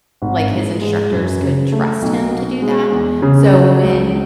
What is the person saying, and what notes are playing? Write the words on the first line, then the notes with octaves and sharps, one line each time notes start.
like, his instructors could trust him to do that, so when
G#1
G#2
G#3
F#2
C#3
A3
B1
B2
G#3
E2
C#3
F#3
C#2